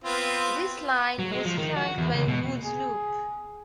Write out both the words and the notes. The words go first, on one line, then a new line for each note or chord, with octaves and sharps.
This line was flanked by a goods loop.
B3 C4 F4
F#3
G#3
F3
D#3
F#4
E2
C#2
B2
G#4